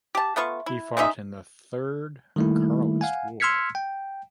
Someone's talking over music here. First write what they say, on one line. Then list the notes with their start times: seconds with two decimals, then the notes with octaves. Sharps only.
He fought in the Third Carlist War.
0.15 G4 A5
0.36 A3 B3 F4 C#6
0.66 E4
0.97 G#3 C#4 D#4 E5
2.36 D#3 G3 A3 A#3 E4
3.01 F5 F#5 G#5
3.40 C6 E6 F6 G#6 B6 C#7
3.75 G5